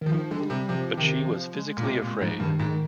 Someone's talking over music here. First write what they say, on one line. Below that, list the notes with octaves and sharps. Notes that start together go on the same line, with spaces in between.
But she was physically afraid.
D#3 F3
D#3 F3
D3 G#3
G3
C3
C3 F3
C3 D#3
F3
G#3
A#2
C3 G#3
A#2 G#3
G#2 F3
G2 D#3
G#2
D#3